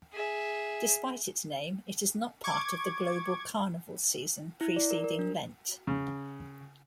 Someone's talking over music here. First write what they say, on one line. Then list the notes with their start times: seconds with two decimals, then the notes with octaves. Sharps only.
Despite its name, it is not part of the global Carnival season preceding Lent.
0.13 G#4 E5
2.44 C#6 D6 G#6
4.61 E4
4.76 D5
4.91 A#4
5.04 A#4
5.19 D4
5.87 C#3